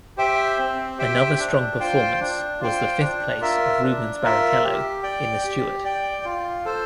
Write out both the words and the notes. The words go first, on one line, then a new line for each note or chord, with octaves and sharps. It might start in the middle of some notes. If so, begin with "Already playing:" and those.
Another strong performance was the fifth place of Rubens Barrichello in the Stewart.
G4 C5 E5 G5
C4
G4 C5 E5 G5
D4
F4 C5 G5
D4
F4 C5 G5
D4
F4 A#4 E5
D4
F4 A#4 E5
G4
D5 G5
G4
D5 G5
F4
A4 C5